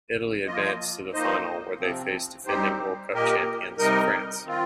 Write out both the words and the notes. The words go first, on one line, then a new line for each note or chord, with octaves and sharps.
Italy advanced to the final where they faced defending World Cup Champions France.
F3 A#3 F4 D#5
F3 A#3 D#4 C5 D#5
C3 F3 C4
G3 C4 D#4 G4 C5
A#2 A#3 G4 A#4 D#5
C3 G3 D#4 A#4 D#5
D#3 C4 F4